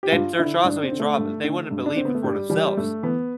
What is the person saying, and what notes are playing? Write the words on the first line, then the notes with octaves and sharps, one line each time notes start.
that their jaws will be dropped, uh, they wouldn't believe it for themselves.
G4
G2 F4
D3 E4
G2 D4
C4
D3
A3
G2
D3
G2
D4
D3 C4
B3
A3
G2 G3
E3 G3
G2 A3
E3 B3